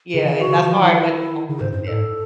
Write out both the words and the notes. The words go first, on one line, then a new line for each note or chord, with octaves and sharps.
Yeah, and that's how I measure progress, yeah.
C#3 G#4
E3 G#4
D#3
G#4
F#4
C#3
D#3
E3
F#3
D#3 E4
C#3 D#4
G#2 C5
F#2 C5
G#2 C5
A2 A4
G#2